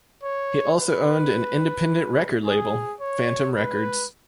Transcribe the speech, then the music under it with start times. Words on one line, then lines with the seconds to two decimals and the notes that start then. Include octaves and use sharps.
He also owned an independent record label, Phantom Records.
0.23 C#5
0.79 B4
2.45 G#4
3.00 C#5
3.56 B4